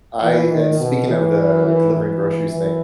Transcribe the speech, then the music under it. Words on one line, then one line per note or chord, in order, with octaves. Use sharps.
I and speaking of the delivering groceries thing,
E3
D#3
B2
E3
E3
E3
E3